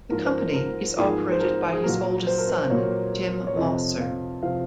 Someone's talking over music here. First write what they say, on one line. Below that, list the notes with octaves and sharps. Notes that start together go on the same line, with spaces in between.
The company is operated by his oldest son, Tim Mosser.
G#2 F3 A#3 A#4
C5
A#4
A#4
G#2 F3 A#3 G#4
C5
A#4
G#4
A#2 F#3 A#3 A#4
C5
A#4
C5
A#2 F#3 A#3 C#5
C#5
F2 C3 F3 C4 D#5
F5
C3 F3 C4 F5